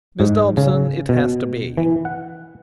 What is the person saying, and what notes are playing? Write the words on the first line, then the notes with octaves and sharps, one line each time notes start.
Miss Dobson, it has to be.
G#2
C#3
B2
E3
F#5